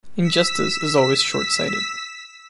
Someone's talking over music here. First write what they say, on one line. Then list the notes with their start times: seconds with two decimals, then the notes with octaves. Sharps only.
Injustice is always short-sighted.
0.22 E6 B6